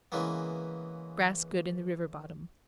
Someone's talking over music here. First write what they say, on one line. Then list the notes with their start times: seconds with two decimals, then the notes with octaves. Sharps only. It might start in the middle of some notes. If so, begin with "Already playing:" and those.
Grass good in the river bottom.
0.12 C#3 E3 G#3 A#3 B3